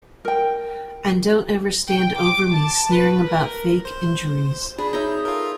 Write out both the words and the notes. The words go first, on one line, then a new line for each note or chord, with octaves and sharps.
And don't ever stand over me sneering about fake injuries.
A#4 G5
G5
D6
A5
B4
A#4
C5
D4 G#4 B5
D#4 C#5 D#5 E5 G6
F4 A4 A#4